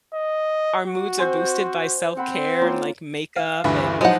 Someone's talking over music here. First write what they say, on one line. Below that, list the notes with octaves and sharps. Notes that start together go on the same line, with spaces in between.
our moods are boosted by self-care and, like, makeup and
D#5
F#4
C4 C5 G#5
C4 F#5 B5
A#3 C#4 F4
F5
D2 G2 E3 E5
F3 F#3 G#3 D#4 F#5